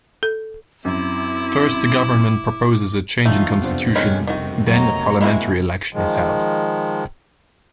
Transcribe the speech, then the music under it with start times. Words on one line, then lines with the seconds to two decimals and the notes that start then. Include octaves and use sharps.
First a government proposes a change in constitution, then a parliamentary election is held.
0.23 A4
0.85 F#2 C4 E4 D6
3.26 D#3 E3 A3 C#4 D#4 F4
3.62 F2 C3 B3 D4 C5
3.95 D#3 G3 G#3 C#4
4.27 D#3 F#4
4.67 F#3 A3 B3 C#5 D#5 A#5
5.21 C3 G#3 A#3 E4 F#4
5.94 D#3 F3 G#3